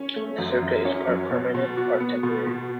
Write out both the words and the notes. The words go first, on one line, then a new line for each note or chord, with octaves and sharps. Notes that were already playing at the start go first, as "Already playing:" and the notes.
The circuit is part permanent, part temporary.
Already playing: C#4
A3
F#2
F#2
C#4
F#3
B2
B2
F#4
B3
B2
B2